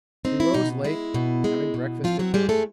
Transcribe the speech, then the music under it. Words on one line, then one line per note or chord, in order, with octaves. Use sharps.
We rose late, having breakfast at nine.
C4 D#4
E4
B2 D#4
G#3 E4
B2
G#3
B2
F3 C4 F4
F#3 F#4
G3 G#3 G4
A3 A4